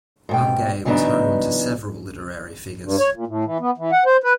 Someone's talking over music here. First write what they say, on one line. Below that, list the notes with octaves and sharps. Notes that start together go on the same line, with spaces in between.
Bungay was home to several literary figures.
G#2 B2 G5
C#3 E3 F#3 B3 D4 D#4
G2
C#5
A#2
A2
E3
B3
E3
F#5
C5
B4